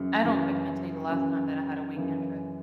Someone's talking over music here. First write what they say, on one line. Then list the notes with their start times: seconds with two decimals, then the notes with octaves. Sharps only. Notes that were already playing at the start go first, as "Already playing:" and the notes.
I don't I can't tell you the last time that I had a weekend trip.
Already playing: F#2 C#3 E3
0.24 F#2 C#3 E3
1.10 F#2 C#3 E3
1.97 F#2 C#3 E3